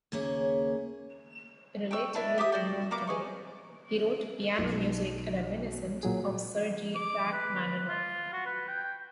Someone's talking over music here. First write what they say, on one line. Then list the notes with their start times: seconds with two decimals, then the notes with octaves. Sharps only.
Relatively unknown today, he wrote piano music reminiscent of Sergei Rachmaninoff.
0.12 D#2 C#3 A#3 G#4 C#5 E5
1.91 G5 C#6 E6
2.15 D4 E4 D#5
2.38 G4 E5 D6 D#6
2.52 F#4 D5 G5
2.91 A#3 B3 D6
3.07 G#4 D#5 C#6
4.58 B1
6.03 A#2 F#3 G#4
6.95 D6
7.32 B4
7.88 F4
8.33 F#4
8.46 B4
8.68 G5